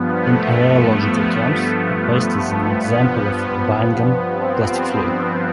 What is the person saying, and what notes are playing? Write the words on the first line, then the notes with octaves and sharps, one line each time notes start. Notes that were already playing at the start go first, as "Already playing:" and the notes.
In rheological terms, a paste is an example of a Bingham plastic fluid.
Already playing: G2 F3 B3
A3
A3
B3
A3
G2 F3 B3
C4